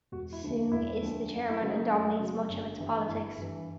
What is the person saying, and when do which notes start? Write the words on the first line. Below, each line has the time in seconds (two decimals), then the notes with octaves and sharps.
Soong is the chairman and dominates much of its politics.
0.12 E1 F#4
0.33 E4
0.42 D2 D3 F3 A3
0.71 E1 E4
1.01 D2 D3 F3 A3
1.31 F#2
1.50 E4
1.60 C#3 F#3 A3
1.71 D#4
1.89 F#2
2.20 C#3 F#3 A3
2.49 G1
2.78 G2 E3
3.08 G1 E4
3.37 G2 E3